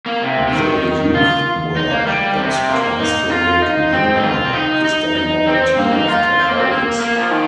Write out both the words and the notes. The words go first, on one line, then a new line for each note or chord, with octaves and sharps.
The youth work at Castlerigg Manor is done by a team of Catholics.
A#3
C3
C3
D#3
F4
D#4
A#3
G3
C3
A#3
D#4
F4
D#4
C4
D#4
F4
C4
D#4
D#4
D#4
C4
A#3
D#4
F4
C4
A#3
C4
A#3
A#3
F3
D#3